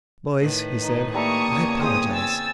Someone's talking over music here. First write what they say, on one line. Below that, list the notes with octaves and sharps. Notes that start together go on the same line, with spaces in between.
"Boys," he said, "I apologize."
A2 D#3 B4
D#4
G3 A#3 E5 A5 A#5 C#6 D#6
E2 C#3 C#5
C4 G#4 C5 D#6
G#5 E6 A6